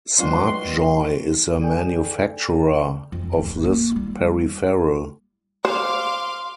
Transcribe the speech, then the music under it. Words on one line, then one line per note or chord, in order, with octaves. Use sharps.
SmartJoy is the manufacturer of this peripheral.
B2 D#3 F#3 G#3 C#4 F4 F#4 C6
A4 D5 G5 G#5 G6
F2
D1 D#3
A#3
G3 E4
C5 F5 C6 D6